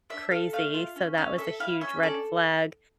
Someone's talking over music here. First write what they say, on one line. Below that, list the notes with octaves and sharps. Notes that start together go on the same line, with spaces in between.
crazy, so that was a huge red flag.
D4 E5
A4 F5
A3 F5
F4
C#4
C#4 F5
A4 E5
E4 F5
C#4 E5
A4 D5